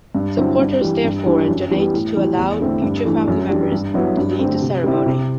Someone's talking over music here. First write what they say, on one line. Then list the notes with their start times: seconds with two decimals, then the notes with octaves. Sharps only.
Supporters therefore donate to allow future family members to lead the ceremony.
0.15 G2
0.37 D3 F#3 C4 E4
0.59 G2
0.81 E3 G3
1.04 G2
1.26 E3 G3 D4
1.48 F#2
1.70 E3 G3 B3
1.94 A2
2.16 E3 G3
2.37 E2
2.60 D3 A3 C4 E4
2.82 G2
3.05 E3 A3 D4
3.28 F#2
3.49 E3 G3 D4
3.72 G2
3.94 F#3 B3 E4
4.17 G2
4.39 D3 A3 C4
4.62 C3
4.84 G3 C4 E4
5.06 C3